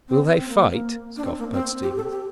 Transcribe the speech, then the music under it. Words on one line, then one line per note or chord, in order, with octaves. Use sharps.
"Will they fight?" scoffed Bud Stevens.
C4
C4
A#3
A#3
D4
C4
A#3
C4
G4
A4
G4